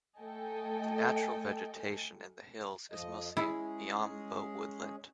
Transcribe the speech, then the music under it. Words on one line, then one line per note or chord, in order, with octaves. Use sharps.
The natural vegetation in the hills is mostly miombo woodland.
A3 A4 D#5 G5 G#5
F2 F3 D#5
G#3 C#4 E4 G#4